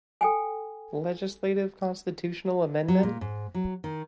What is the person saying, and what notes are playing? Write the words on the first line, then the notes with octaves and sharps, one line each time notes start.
Legislative Constitutional Amendment.
A4 G5 G#5
F#3
A#2
G#2
F#3
D#3